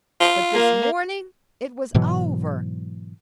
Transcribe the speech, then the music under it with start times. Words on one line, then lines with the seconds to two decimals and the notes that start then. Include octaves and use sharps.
But this morning it was over.
0.20 F4
0.54 A#3
1.94 G#2 B2 E3 F#3